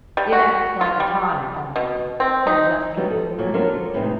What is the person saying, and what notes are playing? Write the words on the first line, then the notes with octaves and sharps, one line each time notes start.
"It acts like a tonic on them," said Justin gloomily.
G3
F#4
F4
G3
B2
C4
D#4
F#3 G3 B3 D4
A4
A#2 F#3 A#3
F3 F#3 C4 D4 F4 A#4
D3
A2 C3 E3 G#3 C4 D#4